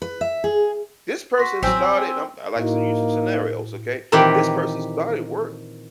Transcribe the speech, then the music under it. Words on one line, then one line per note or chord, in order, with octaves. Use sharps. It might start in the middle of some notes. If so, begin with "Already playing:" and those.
This person started, um, I like some using scenarios, okay? This person started work,
B4
E5
G#4
F#4 C6 A#6 B6
A1 F#3 C4 G#5 E6 G6 B6
A2 A#3 D#4 E4 F#4
A#2 D#3 E3 C4 G4 B4